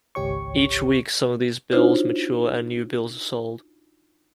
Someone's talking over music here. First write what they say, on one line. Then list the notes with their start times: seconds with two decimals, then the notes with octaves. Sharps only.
Each week, some of these bills mature, and new bills are sold.
0.15 G#1 C#2 G4 C#5 C#6
1.72 D4 D#4 F4 F#4 C5 C#5